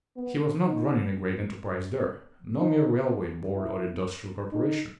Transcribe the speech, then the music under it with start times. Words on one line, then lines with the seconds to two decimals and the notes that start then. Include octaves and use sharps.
He was not running a great enterprise there; no mere railway board or industrial corporation.
0.16 B3
0.65 D#4
2.58 D#4
3.55 E4
4.51 D#4